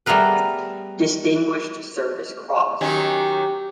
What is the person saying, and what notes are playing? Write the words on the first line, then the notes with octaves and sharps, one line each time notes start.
Distinguished Service Cross.
G3 A3 B3 G#4 A#4 B4
D#3 F#3 C#4 G4